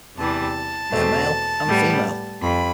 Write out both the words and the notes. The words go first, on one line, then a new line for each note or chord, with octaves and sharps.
They are male and female.
E2 C3 E3 G3 A5
E2 B2 A3 C4
A2 G3 B3
F2 B5